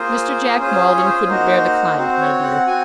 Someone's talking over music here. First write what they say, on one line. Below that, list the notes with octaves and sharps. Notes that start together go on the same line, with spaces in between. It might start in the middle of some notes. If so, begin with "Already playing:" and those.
Mr. Jack Maldon couldn't bear the climate, my dear.
Already playing: A#3 F4 G#4 C5
C#4 F4 G#4 C5
C#5
C5
A#3 D#4 F#4 C5
C4 F#4 C5
C#5
F#5
C4 F#4 G#5